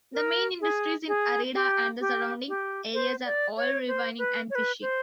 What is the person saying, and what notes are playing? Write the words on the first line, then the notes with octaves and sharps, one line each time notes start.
The main industries in Arida and the surrounding areas are oil refining and fishing.
A#4
G#4
G#4
G4
G4
G4
C5
D5
C#5
C5
B4
C#5
B4
C5